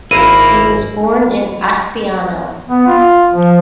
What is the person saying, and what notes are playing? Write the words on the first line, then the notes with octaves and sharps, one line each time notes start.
He was born in Asciano.
G#1 A#3 E4 C5 D#7
B3
F4
F3